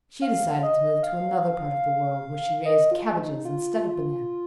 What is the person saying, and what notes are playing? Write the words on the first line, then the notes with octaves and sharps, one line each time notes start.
She decided to move to another part of the world where she raised cabbages instead of bananas.
F5
D#5
F5
D#5
F4
D#4
F4